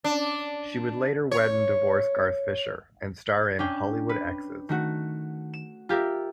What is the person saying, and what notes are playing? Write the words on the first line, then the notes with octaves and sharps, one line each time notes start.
She would later wed and divorce Garth Fisher, and star in "Hollywood Exes".
D4
C#5
C#4 D4 G5
B4
D#3 A3 F#4
E7
F4 G4 A#4 E5